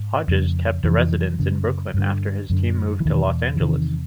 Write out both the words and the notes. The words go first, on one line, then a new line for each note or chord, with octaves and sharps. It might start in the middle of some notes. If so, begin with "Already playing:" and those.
Hodges kept a residence in Brooklyn after his team moved to Los Angeles.
Already playing: G#2
F2 C#3
F2 C3 E3
F#2 C#3
G2 D3
F#2 D3
E3
E2 B2 D#3
E3
E2 C3 D#3